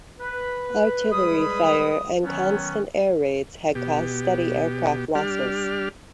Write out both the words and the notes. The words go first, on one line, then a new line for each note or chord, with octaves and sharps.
Artillery fire and constant air raids had caused steady aircraft losses.
B4
G3 G#3 G#4 B4 B5 D#6
D#3 F#3 B3 C#4
B2 G4
G3 D4 G4 F6